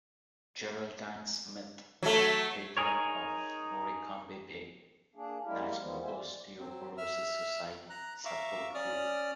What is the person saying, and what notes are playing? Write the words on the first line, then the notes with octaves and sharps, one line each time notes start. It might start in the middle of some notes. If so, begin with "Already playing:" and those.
Geraldine Smith is the Patron of the Morecambe Bay National Osteoporosis Society Support Group.
F#3 A3
D#4 G#4 A#4 C#5
A#3 D4 G#4
G3 G#3 A#3 E4 G4 A#4
E2 D#3 F3 G3 G#3 B3
G3 C4 C5 E5 G#5
D5
F#3 C4
E5 E6 F6
A#5 F#6
E5 F5 A#5 C#6 D6 E6
C#4 D5 D#6 F6